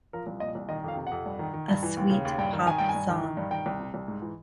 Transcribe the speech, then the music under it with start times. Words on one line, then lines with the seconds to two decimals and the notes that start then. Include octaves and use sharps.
A sweet pop song.
0.13 F3 A#4
0.27 C2
0.40 A#2 D#5
0.55 C2
0.69 D#3 D#5
0.84 F2 F5
0.97 C3
1.07 F2 F#5
1.26 G2
1.39 D#3
1.53 D#3
1.68 G2
1.83 E3
1.97 D#2
2.10 C#3
2.25 D#2
2.39 G2 G5
2.53 D#3
2.66 D#3 G#5
2.78 G2 G5
2.89 G#5
2.95 G2
3.09 D#3
3.24 D#3
3.37 G2
3.51 D#3 G5
3.66 C2
3.80 C3
3.94 C2
4.08 G#2
4.22 E3